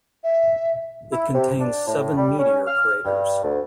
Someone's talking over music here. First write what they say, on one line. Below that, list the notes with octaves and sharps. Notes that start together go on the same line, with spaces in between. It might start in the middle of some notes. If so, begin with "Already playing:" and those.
It contains seven meteor craters.
E5
E4
C3
D4
A2
G3
C#4
F6
G2
D2